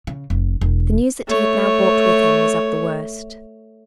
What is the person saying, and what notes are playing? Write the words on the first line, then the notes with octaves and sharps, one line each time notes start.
The news that he had now brought with him was of the worst.
C#3
F1
E1
A3 C#5